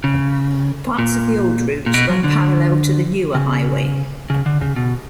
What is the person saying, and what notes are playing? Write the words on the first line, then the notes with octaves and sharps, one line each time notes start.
Parts of the old route run parallel to the newer highway.
C#3
A#2
A#2
B2
F#3
D3
C#3
C#3
D3
C#3
B2